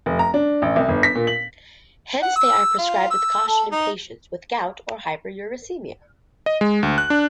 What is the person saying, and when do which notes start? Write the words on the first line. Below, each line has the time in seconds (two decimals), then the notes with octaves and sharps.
Hence they are prescribed with caution in patients with gout or hyperuricemia.
0.06 F1
0.19 A#5
0.34 D4
0.62 A1
0.76 C2
0.89 G1
1.03 B6
1.15 A#2
1.27 F#7
2.23 F#5
2.36 E6
2.78 F4
3.11 E6
3.48 A4
3.72 D#4
6.46 D#5
6.61 G#3
6.83 D2
6.98 F#6
7.10 D4